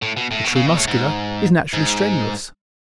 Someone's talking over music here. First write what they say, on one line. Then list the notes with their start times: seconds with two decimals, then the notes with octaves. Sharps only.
The true Muscular is naturally strenuous.
0.02 A2
0.17 B2
0.31 A2
0.44 B2
0.56 C#3
0.66 B2
0.77 A2
0.88 G#2
1.73 G#2